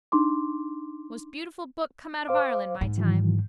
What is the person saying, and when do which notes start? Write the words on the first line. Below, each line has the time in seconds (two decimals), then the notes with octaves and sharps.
Most beautiful book come out of Ireland my time.
0.12 D4 D#4 C6 D6
2.28 C5 F5 D6
2.81 G#2
2.98 D#3 E3 F#3